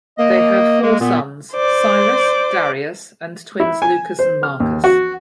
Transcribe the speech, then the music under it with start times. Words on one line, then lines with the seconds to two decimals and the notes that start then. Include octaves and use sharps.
They have four sons: Cyrus, Darius, and twins Lucas and Marcus.
0.19 A#3 D#5
0.82 G#3 A#3
1.00 A#2 B3
1.53 C5 D5
3.60 E4
3.82 G#5
4.19 C5
4.43 F6
4.60 D#2
4.84 F#4